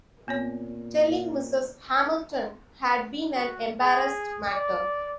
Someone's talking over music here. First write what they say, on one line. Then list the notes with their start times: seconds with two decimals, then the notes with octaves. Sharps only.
Telling Mrs. Hamilton had been an embarrassed matter.
0.28 A#2 B3 C4 C#5
3.35 F#4
3.81 G#4
4.51 D5